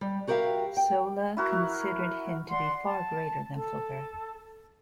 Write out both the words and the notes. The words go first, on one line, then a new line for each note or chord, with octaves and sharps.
Zola considered him to be far greater than Flaubert.
G3
F#4 G4 A#4 B4 E5 F5
G5
E4 F#4 A#4
D5 F#5 C6
A5
A4